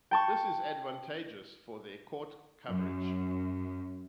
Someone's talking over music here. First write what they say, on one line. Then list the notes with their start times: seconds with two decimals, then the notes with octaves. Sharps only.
This is advantageous for their court coverage.
0.11 G5 A5 C#6
2.68 F#2